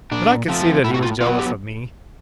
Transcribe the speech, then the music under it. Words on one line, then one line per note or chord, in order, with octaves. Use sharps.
But I could see that he was jealous of me.
A#2 D4
F3 A3 C4
A2 E4
F#4
F4
F#3 B3 F4
G4